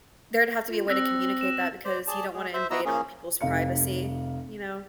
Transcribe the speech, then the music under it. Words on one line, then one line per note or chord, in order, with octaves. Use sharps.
there'd have to be a way to communicate that because you don't wanna invade on people's privacy, you know?
F4
C4 E6 F#6 A#6
E7
C5 D5
G#4 D5 A5
G#3 G#4
C5 E5
B3 E4 F#4 D#5 A#5 E6
A#3 C#4 G#4
F1 D#4 F5 C#7